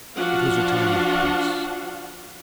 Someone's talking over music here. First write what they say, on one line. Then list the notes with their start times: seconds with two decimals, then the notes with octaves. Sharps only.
It was a time of peace.
0.16 F3 D4 F#4 F5 F#5